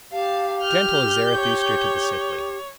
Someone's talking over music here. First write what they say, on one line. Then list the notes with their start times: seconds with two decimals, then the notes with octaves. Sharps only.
Gentle is Zarathustra to the sickly.
0.12 G4 F5 A5
0.61 F6 G6
1.35 C#5